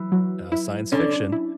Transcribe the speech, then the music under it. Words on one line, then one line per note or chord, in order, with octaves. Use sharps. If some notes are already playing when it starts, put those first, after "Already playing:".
uh, science fiction,
Already playing: E3 F#3
F#3
E4
D3 C#4
E4